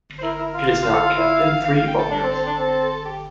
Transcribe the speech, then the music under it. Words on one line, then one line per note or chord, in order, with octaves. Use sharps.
It is now kept in three volumes.
C5
E4 A#4
A#4
E4
A#4
F4
F5
F4
A4
F4
E4
F5
F5
G5
A4
D4
C4
C4
D4
C4
G4